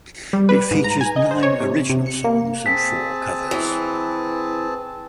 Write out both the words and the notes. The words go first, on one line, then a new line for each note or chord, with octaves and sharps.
It features nine original songs and four covers.
G3
B4
G#2
A#5
G#5
D#5
C5
C#5
C3
C3
C#7
A#3
C4 G#4 A5 B6
E3